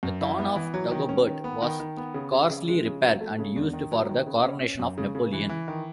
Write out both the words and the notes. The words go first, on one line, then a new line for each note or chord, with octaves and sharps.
The "Throne of Dagobert" was coarsely repaired and used for the coronation of Napoleon.
F#2
E4
B3
E3
F#3
D#3
C#4
D#3
B3
D#3
D#3
B3
C#3
C#3
C#3
G#3
C#3
F#3
A3
C#3
E2
D#3
F#3
D#3
C#3
C#4
C#4
F#2
C#3
C#3
E3
E3
D#3